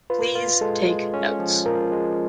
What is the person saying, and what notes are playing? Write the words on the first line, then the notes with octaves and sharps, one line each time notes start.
Please take notes.
F4 B4
F4
G#3 A4
G#3
C#4
F3
F3 A#4
G#3